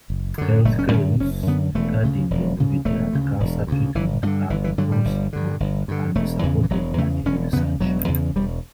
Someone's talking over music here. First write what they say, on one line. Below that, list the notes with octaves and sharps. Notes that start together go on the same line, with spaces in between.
Health claims regarding longevity and cancer treatment are implausible and unsupported by any research.
F#1
F#2 D3
F#1 A3
C#4
F#2 D3 C#4
F#1 C#4
F#2 D3 B3
E1 A3
D2 C#3
E1
D2 C#3
E1 A3
D2 C#3
E1
D2 C#3
G1 E3
G2 D3 G3
G1 E3
E3
G2 D3 F#3
G3
G1
G2 D3
G1
G2 D3
E1 A3
E2 C#3 E3
E3
E1 F#3
E2 C#3 A3
E1 C#4
E2 C#3 B3
E1 F#3
E2 C#3
E1 G3